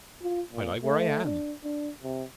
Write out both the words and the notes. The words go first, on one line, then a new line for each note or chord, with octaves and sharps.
I like where I am.
F4
A#2
A3
D4
D4
C3